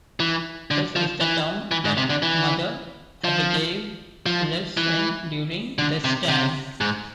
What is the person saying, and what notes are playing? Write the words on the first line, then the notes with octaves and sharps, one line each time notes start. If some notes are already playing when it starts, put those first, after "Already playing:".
This is the town that Mother Abagail lives in during "The Stand".
E3
D3
F3
E3
E3
G#2
C3
D3
E3
F3
F3
E3
D3
C3
C3
G#2